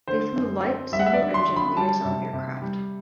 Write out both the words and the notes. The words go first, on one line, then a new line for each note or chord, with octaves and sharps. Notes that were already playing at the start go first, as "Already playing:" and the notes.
They flew light single engine liaison aircraft.
D3 C5
F#2
C4
G3 E5
F#5
E5
D5
D3
C6
D3
B5
G3 A5
C3
C3
G3